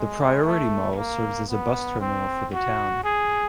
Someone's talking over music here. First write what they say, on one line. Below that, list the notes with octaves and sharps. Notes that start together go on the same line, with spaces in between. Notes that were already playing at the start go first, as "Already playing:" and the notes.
The Priority Mall serves as a bus terminal for the town.
Already playing: G#3
A3
A#3
B3
C4
F#4
G#4